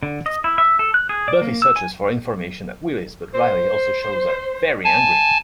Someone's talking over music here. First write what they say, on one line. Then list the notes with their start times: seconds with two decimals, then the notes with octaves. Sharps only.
Buffy searches for information at Willy's but Riley also shows up, very angry.
0.03 D3
0.26 D#5
0.44 E4
0.58 E5
0.79 A4
0.94 F#6
1.09 G#4
1.28 D5
1.42 A#3
1.62 E6
1.76 G#5
3.34 C5
4.84 G#5 A5